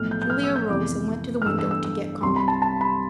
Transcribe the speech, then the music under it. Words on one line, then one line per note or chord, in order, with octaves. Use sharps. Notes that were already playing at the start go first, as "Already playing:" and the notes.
Julia arose and went to the window to get calmed.
Already playing: B1 A2 F3 A3 F6
G6
G6
F6
E6
G6
F2 C3 E3 B3 D6
F6
G1 G2 E3 A3 E6
E6
E6
E6
C2 C3 G3 C4 C6
B5
A5
A5
B5